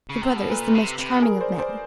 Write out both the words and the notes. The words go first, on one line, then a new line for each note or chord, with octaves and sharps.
Your brother is the most charming of men.
C#3
C3
B2
A#2 A4 B4
C3
C3
G#4 A#4
C5 D5
C5 D5